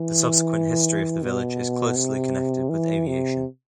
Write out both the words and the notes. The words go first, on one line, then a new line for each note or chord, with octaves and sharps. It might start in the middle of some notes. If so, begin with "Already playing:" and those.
The subsequent history of the village is closely connected with aviation.
Already playing: E3
B2
C3
E3
C3